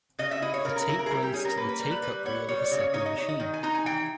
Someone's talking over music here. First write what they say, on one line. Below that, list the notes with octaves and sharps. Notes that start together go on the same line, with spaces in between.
The tape runs to the take-up reel of a second machine.
C#3 D#5
E5
E4 D#5
C#5
C#3 A#4
A#4
E4 A#4
A#4
G#4
G3 A#4
G4
C#4 G#4
A#4
A#3 B4
B4
G3 A#4
B4
G3 B4
B3 C#5
G3 C#5
C#5
C#3
C#5
D#4 C#5
D#5
D#4 C#5
D#5
D#3
G#5
D#4 A#5
G#5
E3 G5